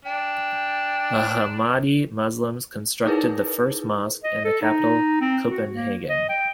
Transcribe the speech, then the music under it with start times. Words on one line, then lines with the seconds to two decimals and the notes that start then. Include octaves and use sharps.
Ahmadi Muslims constructed the first mosque in the capital, Copenhagen.
0.05 D4 G5
3.06 D#4 E4 G#4 A#4 B4
4.24 D#5
4.45 A4
4.62 D#4
5.21 C4
5.48 F#4
5.71 A#3
6.09 D#5
6.29 G5